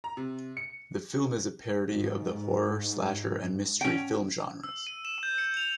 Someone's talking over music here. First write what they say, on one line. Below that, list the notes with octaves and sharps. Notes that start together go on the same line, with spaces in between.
The film is a parody of the horror, slasher, and mystery film genres.
A#5
C3
C#7
G#2
C#4 G5
E6
D#7
E7
G6
C#7
F7